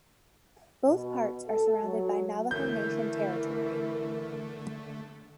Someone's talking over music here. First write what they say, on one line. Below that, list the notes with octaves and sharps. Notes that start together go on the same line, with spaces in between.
Both parts are surrounded by Navajo Nation territory.
B2
A4
F#3
D3 E3 A3 A#4 G6